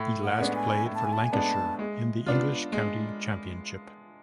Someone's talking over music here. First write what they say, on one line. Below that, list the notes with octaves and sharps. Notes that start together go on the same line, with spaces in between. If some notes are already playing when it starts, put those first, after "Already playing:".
He last played for Lancashire in the English County Championship.
Already playing: A2
F#5
G#3 B3 D4
G#5
A2
A5
G#5
A5
G#5
G#3 B3 D4 A5
G#3
B3 D4 F4
G#3